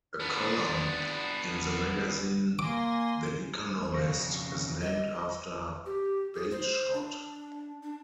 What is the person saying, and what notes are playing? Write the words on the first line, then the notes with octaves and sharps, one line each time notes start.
A column in the magazine "The Economist" is named after Bagehot.
B3 D4
A#3 G#5 C6 D6 A#6
A3 C5
F2 C#3 C#6 A#6
D#5
G4
G#4
C5
D4
D4